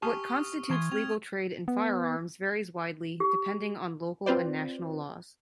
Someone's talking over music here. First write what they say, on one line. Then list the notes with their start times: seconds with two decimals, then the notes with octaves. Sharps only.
What constitutes legal trade in firearms varies widely, depending on local and national laws.
0.02 G4 G#5 A5 C#6 D#6 F6
0.70 E3 A#5 C6 C#6 G#6
0.92 C4 F6 G#6 F7
1.68 B3
3.20 G4
4.26 C4 F4 B4 C5 D5